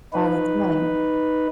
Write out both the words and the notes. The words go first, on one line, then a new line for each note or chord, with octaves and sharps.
All the time.
D#4 B4